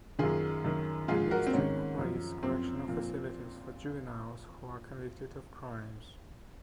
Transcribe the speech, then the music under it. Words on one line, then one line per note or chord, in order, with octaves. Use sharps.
The ministry operates correctional facilities for juveniles who are convicted of crimes.
F#2 D#3 F4 G#4
F#2 D#3
G#2 F3 F4 G#4
F#4 A#4
C4
G#2 D#3 C#4
F#2 F3
F#2 F3 C4
A#2 F3